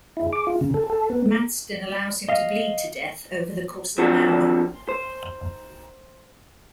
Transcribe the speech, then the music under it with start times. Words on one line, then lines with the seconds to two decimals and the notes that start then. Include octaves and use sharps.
Maddstone allows him to bleed to death over the course of an hour.
0.17 E4
0.32 D6
0.47 F4
0.61 C#3
0.74 A4
0.90 A4
1.10 B3
1.26 A3
2.29 D#5 F5
3.98 F3 C4 D4 F#4
4.89 C5